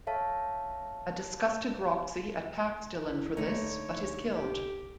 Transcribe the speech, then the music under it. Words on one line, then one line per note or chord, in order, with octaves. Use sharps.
A disgusted Roxy attacks Dillon for this but is killed.
A4 C#5 E5 F5 A5
G1 E4
C2 D3 A3 D#4 C#5
G4